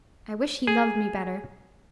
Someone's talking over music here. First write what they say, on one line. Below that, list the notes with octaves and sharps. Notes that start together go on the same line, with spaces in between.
"I wish he loved me better."
G#4